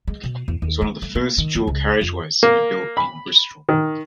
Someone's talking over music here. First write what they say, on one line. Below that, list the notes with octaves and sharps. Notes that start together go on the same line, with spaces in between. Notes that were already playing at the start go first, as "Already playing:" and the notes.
It was one of the first dual carriageways to be built in Bristol.
G#3
B2
E2
D#2
A3
A3
A#3
D#3
F2
C#2
F2
A#3
B5
D#3